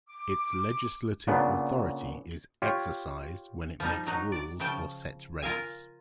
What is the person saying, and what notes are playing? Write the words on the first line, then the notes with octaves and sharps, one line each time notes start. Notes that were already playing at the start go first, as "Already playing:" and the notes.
Its legislative authority is exercised when it makes rules or sets rates.
D6
A#2 C#3 B3 D4
F4 G4 C#5
F3 G3 D#4
F#3 D#4
D5
C#3 F3 G5 A5
F4 A#4 F5 G#5